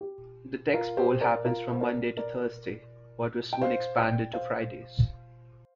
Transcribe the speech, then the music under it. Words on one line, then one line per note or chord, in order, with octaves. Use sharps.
The text poll happens from Monday to Thursday, but was soon expanded to Fridays.
G4
F4 A#4
G4 C5
A#4 D5
F4 A#4
C5
A#4 D5
A#4 D5
G5
C5 F5
D5 G5
C5 F5